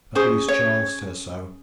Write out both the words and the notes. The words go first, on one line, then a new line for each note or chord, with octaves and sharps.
At least Charles says so.
C#4 G#4 C5
C#5